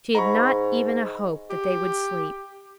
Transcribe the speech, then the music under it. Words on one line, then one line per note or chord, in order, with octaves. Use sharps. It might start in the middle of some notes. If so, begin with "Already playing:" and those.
She had not even a hope that they would sleep.
G#2 A#5 B5 C#6
G4